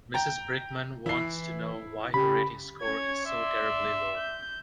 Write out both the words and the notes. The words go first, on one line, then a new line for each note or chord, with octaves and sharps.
Mrs Brickman wants to know why her rating score is so terribly low.
G5 A#5
E3 E4 C7
C#3 G4 B5
C#4 C#5 G#6
D5 E5 C6
G6